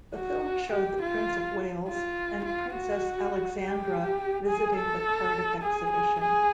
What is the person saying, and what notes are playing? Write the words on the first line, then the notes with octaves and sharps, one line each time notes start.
The film showed the Prince of Wales and Princess Alexandra visiting the Cardiff Exhibition.
F#4
G4
F4
F4
F4
F#4
G4
G#4
A4
G#4
G#4
G#4